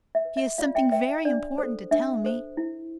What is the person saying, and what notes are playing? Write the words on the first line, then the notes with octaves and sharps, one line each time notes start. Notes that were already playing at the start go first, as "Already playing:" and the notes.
"She has something very important to tell me."
E5
B4
E5
F4 D5 F5
E5 G5
B4 E5 G5
E5
D4 D5
A4 C5
D4 E5
A4 C5
E4